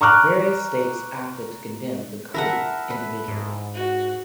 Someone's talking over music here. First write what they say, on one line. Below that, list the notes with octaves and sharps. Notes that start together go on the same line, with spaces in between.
Various states acted to condemn the coup individually.
A#5 C#6 D6 F6 F#6
E4 A#4 E5 F#5 A5
B4
G#2
F#4